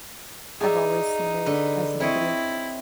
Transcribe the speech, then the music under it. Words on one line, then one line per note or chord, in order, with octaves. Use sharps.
I've always seen it as negative,
D#4 G#4 D5 E5
D3 B4
C4 E4 C#5 D#5